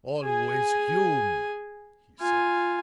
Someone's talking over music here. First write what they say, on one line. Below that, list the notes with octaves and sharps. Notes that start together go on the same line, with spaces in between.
"Always Hume," he said.
G#4 G#5
F4 G#5